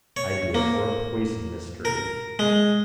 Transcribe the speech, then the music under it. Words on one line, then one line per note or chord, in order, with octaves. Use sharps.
Idea for a poison mystery.
C#5
A#3
A#4
G#3